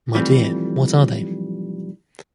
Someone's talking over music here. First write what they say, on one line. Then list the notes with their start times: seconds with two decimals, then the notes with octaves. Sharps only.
My dear, what are they?
0.14 B1 E3 F3 G3 A3 C4